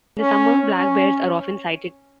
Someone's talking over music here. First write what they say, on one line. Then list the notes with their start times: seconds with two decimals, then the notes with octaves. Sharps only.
In the summer black bears are often sighted.
0.20 C#4
0.78 C#4